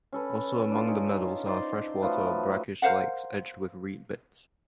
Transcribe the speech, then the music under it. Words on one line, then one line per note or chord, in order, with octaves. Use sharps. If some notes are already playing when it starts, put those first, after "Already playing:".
Also among the meadows are freshwater or brackish lakes edged with reed beds.
C#4 A4 B4
D4 F4
C#4 D#4
D#4 C5 D5
F3 F#3 A3 B4
A#4 C5 F5 F#5